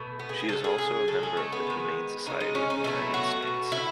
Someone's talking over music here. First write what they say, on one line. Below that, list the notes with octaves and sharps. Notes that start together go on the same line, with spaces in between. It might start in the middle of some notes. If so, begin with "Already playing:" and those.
She is also a member of the Humane Society of the United States.
Already playing: B2 A3
B3
G#4
G#4
C#3 G#3 A4
G#4
G#4
C#3 G#3 A4
G#4
A3
B3
D#3 G#3
C#3 E3 G#3 D#4
D#4
C#4
D#4
B2 F#3 A3 E4
F#4
B2 A3
E4